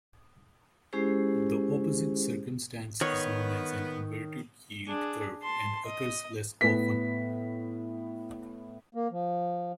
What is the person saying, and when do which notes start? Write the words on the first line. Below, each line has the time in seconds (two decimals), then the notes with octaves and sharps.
The opposite circumstance is known as an inverted yield curve and occurs less often.
0.93 G#3 C#4 E4 G4 G#4 C5
3.01 D#3 B3 C#5
4.88 D4 G#4
5.43 A5 C6
5.85 D#5
6.61 A2 B3 B6
8.95 A#3
9.11 F3